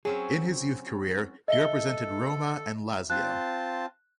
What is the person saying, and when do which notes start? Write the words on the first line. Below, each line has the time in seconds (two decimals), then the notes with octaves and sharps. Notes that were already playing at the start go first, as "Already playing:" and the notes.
In his youth career he represented Roma and Lazio.
0.05 F#3 C4 C#4 G#4
1.48 A4 D#5 E5 G7
3.10 C4 F4 A5 F#6